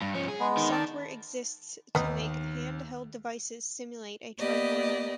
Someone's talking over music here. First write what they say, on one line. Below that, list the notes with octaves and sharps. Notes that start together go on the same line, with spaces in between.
Software exists to make hand-held devices simulate a tricorder.
G2
F3 C#4
G#4
G#3 B3
D#3
D5 A5
D#2 B3 D#4
A#3 B3 G4 D5 D#5